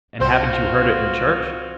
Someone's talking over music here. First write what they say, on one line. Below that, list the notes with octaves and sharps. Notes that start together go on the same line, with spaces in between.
"And haven't you heard it in church?"
C2 C4 F4 F#4 C5